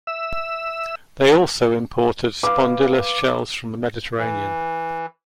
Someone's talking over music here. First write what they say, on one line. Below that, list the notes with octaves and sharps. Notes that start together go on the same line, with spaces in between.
They also imported spondylus shells from the Mediterranean.
E5 E6
B4 F5 D6
E3